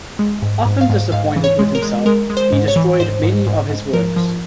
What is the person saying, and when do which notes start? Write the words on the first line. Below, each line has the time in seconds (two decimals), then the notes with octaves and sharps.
Often disappointed with himself, he destroyed many of his works.
0.19 G#3
0.42 G#2
0.65 G#2
0.81 F5
0.90 G#2
1.12 G#2 F5
1.36 E3
1.44 C#5
1.59 G#3
1.75 A#4
1.82 G#3
2.06 G#3 A#4
2.30 G#3
2.37 C5
2.52 G#2
2.68 C#5
2.76 E3
3.00 G#2 C5
3.23 G#2
3.47 G#2
3.69 G#2
3.93 F3 A#4
4.16 F3